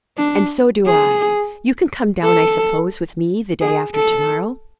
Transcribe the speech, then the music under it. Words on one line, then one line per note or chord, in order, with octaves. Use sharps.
"And so do I. You can come down, I suppose, with me the day after to-morrow?"
D4
G#4
A4
G#4
A4